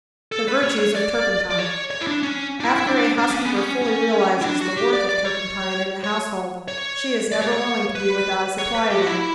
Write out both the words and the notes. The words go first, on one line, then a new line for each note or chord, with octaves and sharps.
The Virtues of Turpentine.--After a housekeeper fully realizes the worth of turpentine in the household, she is never willing to be without a supply of it.
A4
B4
C#5
C#5
D5
D5
C#5
C#5
E4
D4
C#4
D4
E4
E4
D4
D4
C#4
B3
C#4
C#4
E4
D4
F#4
G4
D5
D5
C#5
C#5
C#5
D5
C#5
C#5
B4
C#5
B4
G4
F#4
E4